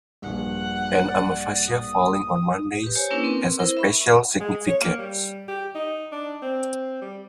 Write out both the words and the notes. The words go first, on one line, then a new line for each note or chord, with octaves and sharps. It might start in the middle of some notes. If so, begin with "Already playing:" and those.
An Amavasya falling on Mondays has a special significance.
A#1 G2 F#5
D5
D#6
G4 B4
G4 C5 C#5 G#5
A#3 C#4 D4 E4 A#4 B4
C4 A#4 B4
E4 A#4 C5
E5 B5 C#6
G#3
C#5
A#3
G3
G4
D#4
D4
C4
G3